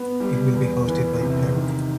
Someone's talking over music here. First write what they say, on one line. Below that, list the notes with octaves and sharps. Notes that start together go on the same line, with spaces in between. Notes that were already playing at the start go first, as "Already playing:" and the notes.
It will be hosted by Peru.
Already playing: B3
G3
E2
E3
C3
D#3